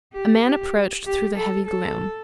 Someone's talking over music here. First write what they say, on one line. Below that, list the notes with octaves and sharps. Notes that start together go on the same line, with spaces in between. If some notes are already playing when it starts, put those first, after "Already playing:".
A man approached through the heavy gloom.
G4
G4
G4
A4
A4